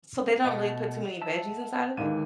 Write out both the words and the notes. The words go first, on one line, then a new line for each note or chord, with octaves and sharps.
So, they don't really put too many veggies inside of it?
B2 A3 D#5 F#5
E5 A5
D#2 D3 E3 G#3 F5 D#7